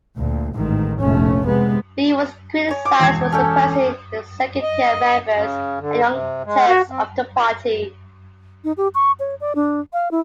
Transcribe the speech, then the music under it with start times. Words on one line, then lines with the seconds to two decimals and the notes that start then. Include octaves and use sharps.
Lee was criticized for suppressing the second-tier members and "Young Turks" of the party.
0.16 D2 A#2
0.55 A1 G#2 D#3
0.99 F1 A#1 A3 C#4
1.46 C3 G#3 B3
2.68 C#5 G#5
2.85 D6
3.00 E1 G#6
3.32 C#4 A4 G5
4.62 D#5
5.33 C#3
5.80 D3
6.09 C3
6.45 G#3
6.68 F#4
6.90 C4
8.64 D#4
8.77 G4
8.95 C#6
9.20 C#5
9.41 D5
9.55 D4
9.93 F5
10.11 E4